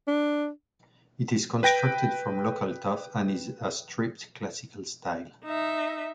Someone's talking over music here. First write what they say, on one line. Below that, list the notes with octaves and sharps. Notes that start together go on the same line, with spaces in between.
It is constructed from local tuff and is a stripped classical style.
D4
B4 G5 A#6 D7
D#4 E5